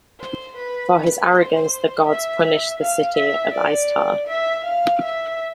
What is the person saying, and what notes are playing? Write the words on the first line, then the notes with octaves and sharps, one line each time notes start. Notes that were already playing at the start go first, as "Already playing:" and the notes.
For his arrogance, the gods punished the city of Istar.
C5
B4
B4
C5
E5
F5
E5
D5
E5
F5
E5